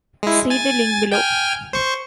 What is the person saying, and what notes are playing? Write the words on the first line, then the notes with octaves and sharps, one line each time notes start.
See the link below.
G#3 E4
G#5 A6
G5 G#5 F6
C5 C#6